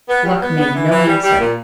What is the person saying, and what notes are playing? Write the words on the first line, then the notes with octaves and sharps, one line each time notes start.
Gluck made no answer.
B3
G3
B3
B3
E3
E3
G3
G3
A#2